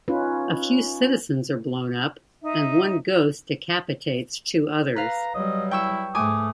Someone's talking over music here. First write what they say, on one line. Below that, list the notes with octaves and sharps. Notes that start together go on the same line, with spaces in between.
A few citizens are blown up and one ghost decapitates two others.
C#4 D#4 F4 B4
D#4 E5
B4 F5 A#5
F#3 G3 D#5
E4 G5 C#6 E6
G#2 A3 G#5 D6 D#6